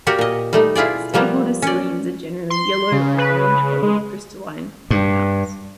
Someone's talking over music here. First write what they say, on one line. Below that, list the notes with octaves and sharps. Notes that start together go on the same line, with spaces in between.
Stable disilenes are generally yellow- or orange-colored crystalline compounds.
A#3 F#4 G4 A#4 D5
A#2 D#5
G3 A3 D#4
B2 E4 F4 G#4 D5
F3 G3 A#3 B3
C#4 D5
C6
C#3
B4
G#3
G2